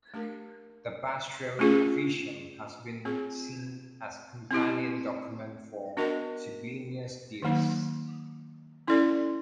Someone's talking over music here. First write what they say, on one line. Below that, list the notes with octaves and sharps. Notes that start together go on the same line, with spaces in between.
The "Pastorale Officium" has been seen as a companion document for "Sublimis Deus".
A3 D4 G4 A#4
A3 C#4 F4 G#4
C4 F4 G#4
C4 E4 G4
B3 D4 F#4 A#4 D#5
D#3 F#3 A#3 D#4
C#4 E4 A4 D5